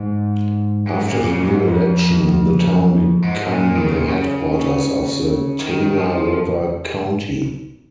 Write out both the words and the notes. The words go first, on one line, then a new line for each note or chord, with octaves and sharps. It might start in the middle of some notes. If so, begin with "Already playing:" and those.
After the new election, the town become the headquarters of the Tana River County.
Already playing: G#2
G#2
A#2
C#3
A#2
G#2
F2
G#2
A#2
D#3
C#3
A#2
C#3
D#3
F3